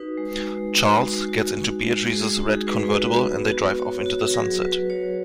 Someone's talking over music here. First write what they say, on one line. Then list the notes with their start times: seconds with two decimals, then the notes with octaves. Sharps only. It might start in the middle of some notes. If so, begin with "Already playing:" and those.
Charles gets into Beatrice's red convertible and they drive off into the sunset.
Already playing: D#4 F#4 B4
0.17 G#3
0.45 G#3
0.73 D#4
1.01 G#3 F#4
1.29 F#4
1.56 F#4
1.85 G#3
2.12 G#3 G#4
2.26 F#4
2.39 D#4 F#4
2.53 G#4
2.67 G#3 B4
2.80 G#4
2.92 F#4 B4
3.23 B3
3.50 F#4
3.79 F#4 C#5
4.06 F#4
4.34 F#3 G#4
4.61 F#4 B4
4.90 F#4 C#5